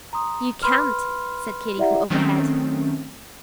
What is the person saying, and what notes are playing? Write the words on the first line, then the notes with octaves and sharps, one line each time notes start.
"You can't," said Katy from overhead.
A#5 C6 D#6
B4 B5 C6 F6
E4 G4 D5 E5 F#5 A#5
D#3 F#3 A3 C4 C#4